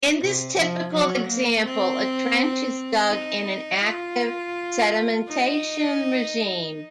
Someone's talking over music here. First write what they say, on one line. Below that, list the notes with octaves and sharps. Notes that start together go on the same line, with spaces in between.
In this typical example, a trench is dug in an active sedimentation regime.
C3
F3
F#3
A#3
C4
D#4
F4
D#4